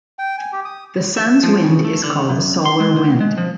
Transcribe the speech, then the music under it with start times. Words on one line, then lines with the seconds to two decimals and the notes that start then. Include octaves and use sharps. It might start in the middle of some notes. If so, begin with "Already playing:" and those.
The Sun's wind is called the solar wind.
0.19 G5
0.38 G#5
0.53 G4
0.65 D#6
1.17 E5
1.43 F3
1.64 C#3
1.85 A3
2.04 D3
2.29 F#2
2.65 C6
2.80 G#3
2.96 D2
3.21 G#3
3.38 F3